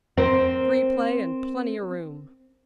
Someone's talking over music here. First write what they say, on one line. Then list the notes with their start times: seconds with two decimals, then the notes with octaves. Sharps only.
"Free play and plenty of room."
0.17 C4 A#4 C5